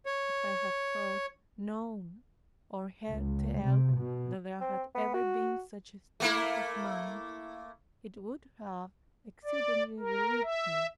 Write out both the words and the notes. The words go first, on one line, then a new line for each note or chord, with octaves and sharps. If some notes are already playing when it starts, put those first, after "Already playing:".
If I had thought, known, or heard tell, that there had ever been such a state as mine, it would have exceedingly relieved me.
C#5
C#2
C3
B2
C4
B3
F#4
A3 A#3 E4
D5
A#4
E5